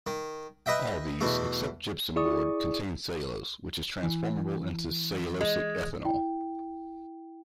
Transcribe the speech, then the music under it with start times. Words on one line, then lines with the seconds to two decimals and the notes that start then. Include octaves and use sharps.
All these, except gypsum board, contain cellulose, which is transformable into cellulosic ethanol.
0.07 D#3
0.66 B4 D#5 E5 G5
1.21 E2 B2 A3
2.16 E4 G#4 D5 C#6 D#6
4.03 E3
5.41 G#3
6.05 E4 G5